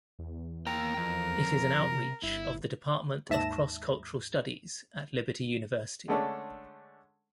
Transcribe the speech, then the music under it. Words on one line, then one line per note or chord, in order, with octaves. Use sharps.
It is an outreach of the Department of Cross-Cultural Studies at Liberty University.
E2
A#3 A#4 G5
F2
C3
G1 E4
D#2 G#2 E5 A5 A#6 E7
D3 G#3 A3 C#4 D4 A4